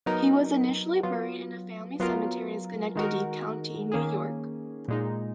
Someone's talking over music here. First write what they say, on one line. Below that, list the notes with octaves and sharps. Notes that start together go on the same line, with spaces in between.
He was initially buried in a family cemetery in Schenectady County, New York.
F#3 B3 D#4 A#4
F#3 B3 F4
F#3 B3 F4 A#4
D#3 G#3 D#4 F#4 A#4
D#3 A#3 C#4 G#4
A#2 G#3 D#4